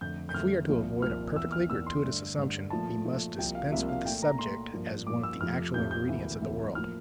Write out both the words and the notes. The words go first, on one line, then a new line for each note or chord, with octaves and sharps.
If we are to avoid a perfectly gratuitous assumption, we must dispense with the subject as one of the actual ingredients of the world.
F2 D3 A3 G6
G6
F2 D3 A3 F6
C2 A#2 F3 A#3
C2 A#2 F3 A#3 F6
E2 E3 A#3 E6
F6
E2 E3 A#3 E6
C6
G2 D3 A3
G2 D3 A3
A#2 F3 A3 A5
A#2 F3 A3
C2 C3 F3 A#3 G5
F5
C2 C3 F3 A#3 E5
F5
A#2 A3 G5
A#5
A#2 A3 C6
G2 F3 A#3
G2 F3 A#3 D6
E6
F2 C3 F3 A3 F6
F2 C3 F3 A3 G6
G6
D2 C3 E3 A#3
D2 C3 E3 A#3
A2 F3 A#3 F6